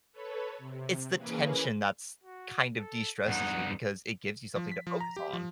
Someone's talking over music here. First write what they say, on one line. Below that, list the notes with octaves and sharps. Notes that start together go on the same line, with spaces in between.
it's the tension that's kind of destresses you, because it gives you something to focus on.
A4 B4 C#5
C3
E3 A#3 C#4 G#4 B4
F#4
A4
E2 G2 D#4 F#5
F3
B6
F3
A#5
G4
F3